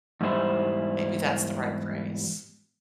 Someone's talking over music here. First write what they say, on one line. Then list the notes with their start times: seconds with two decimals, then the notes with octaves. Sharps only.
Maybe that's the right phrase.
0.21 E2 G#2 G3 E4 C5